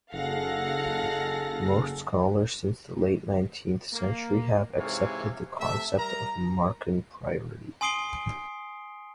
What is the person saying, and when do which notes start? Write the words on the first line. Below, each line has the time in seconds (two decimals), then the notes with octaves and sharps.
Most scholars since the late nineteenth century have accepted the concept of Marcan priority.
0.12 F#1 D#4 G#4 A4 F5 F#5 A#6
3.94 A#3
4.77 G#2 C3 E3 C#5 F5
5.59 C3 A3 E5
5.98 G3 A#4 A#5
7.81 G#5 C6 D#6 C7 D7 G7